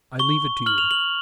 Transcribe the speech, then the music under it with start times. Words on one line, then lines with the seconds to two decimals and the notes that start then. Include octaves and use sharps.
I leave it to you.
0.19 C#6 G7
0.66 F6 F#7
0.78 F7
0.91 F#7